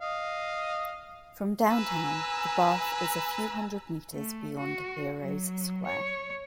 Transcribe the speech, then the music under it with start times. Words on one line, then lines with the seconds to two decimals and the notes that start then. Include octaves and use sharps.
From downtown, the bath is a few hundred metres beyond Heroes' Square.
0.01 D#5 F5
1.71 B4 G#5 A#5 E6
4.14 A3
4.58 F#4
5.20 F#3
5.86 C#5